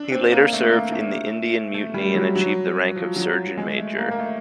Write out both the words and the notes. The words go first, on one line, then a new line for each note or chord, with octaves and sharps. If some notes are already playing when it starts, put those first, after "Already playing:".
He later served in the Indian Mutiny and achieved the rank of surgeon major.
Already playing: D4
C4
A#3
A3
A#3
A3
A3
G3
F#3
F#3
F3
F#3
G#3
A3
A#3
A#3
A3